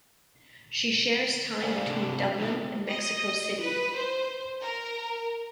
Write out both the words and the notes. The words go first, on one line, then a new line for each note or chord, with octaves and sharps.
She shares time between Dublin and Mexico City.
G3 C5 D5 F5 G#5
C3 C4 D4
F#3 B3 D#4 F4 A#4 E5
D#5
B4
C5
A#4